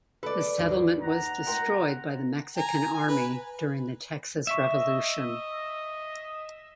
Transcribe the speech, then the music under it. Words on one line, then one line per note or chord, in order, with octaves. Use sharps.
The settlement was destroyed by the Mexican army during the Texas Revolution.
A4 B4 D5
D#2
F#5 A#5
A#4 G5 C6
G#5 A#5
G#5
B4
D#5 E5 C#6 B6 E7